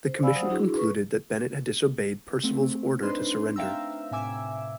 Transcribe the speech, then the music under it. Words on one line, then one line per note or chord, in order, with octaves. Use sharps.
The Commission concluded that Bennett had disobeyed Percival's order to surrender.
C5
D5 F5 G#5 B5 E6
F#3 C5 F#5 D#6
D4 E4 F#4 G#4
G#4 B4 C#6
A3 C4
D4 D#4 B4 C5 C6
E5 F5 G5 A#5 E6
A2 C3 E5 G#5 D6 E6